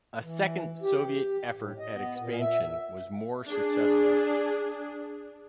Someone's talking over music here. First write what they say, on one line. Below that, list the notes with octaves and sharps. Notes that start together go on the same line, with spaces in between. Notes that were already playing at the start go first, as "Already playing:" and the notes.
A second Soviet effort at expansion was more successful.
E3
G4
G4
A2
D#5
B3
A#2
E5
D4 G#4